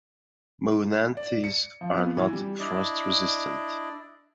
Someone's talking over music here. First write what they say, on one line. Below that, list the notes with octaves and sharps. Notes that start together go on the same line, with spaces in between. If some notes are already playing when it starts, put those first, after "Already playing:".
"Monanthes" are not frost-resistant.
D5
C#7
F3
B3
E3
G3
D4 E4 D5 D#5